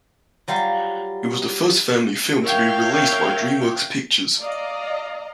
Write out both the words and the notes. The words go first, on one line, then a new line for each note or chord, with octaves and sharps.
It was the first family film to be released by DreamWorks Pictures.
F#3 G3 F4 F5
A#4 C#5 E5 F5 G5
D5 D#5 F5 A#5